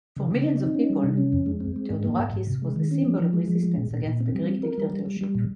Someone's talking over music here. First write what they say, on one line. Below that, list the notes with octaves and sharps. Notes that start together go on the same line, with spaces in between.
For millions of people, Theodorakis was the symbol of resistance against the Greek dictatorship.
C#3
C#3
C4
D#4
C#4
G3
C3
C#4
F2
G#3
C4
G#3
G#2
A#3
G#2
G#2
C3
G#3
D#3
C#4
F3
F3
G#3
F3
G#3
A#2
A#2
A#2
C4
G3
C4
A#4
G3
G3
G3
G3
A#2